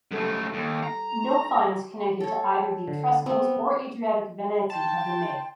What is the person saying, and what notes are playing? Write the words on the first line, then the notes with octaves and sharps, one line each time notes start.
No finds connected to either the Etruscans or Adriatic Veneti have been made.
F#2 G3 A3 A4
D#2
A#5
A4 C#5
D3
B3 C4
G5 A5 C6